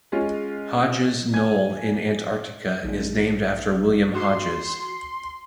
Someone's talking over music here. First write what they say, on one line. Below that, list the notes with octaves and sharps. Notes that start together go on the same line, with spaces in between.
Hodges Knoll in Antarctica is named after William Hodges.
G#3 C#4 F4
G#5 G#6
A#1 D#3 G#3
F#4 C6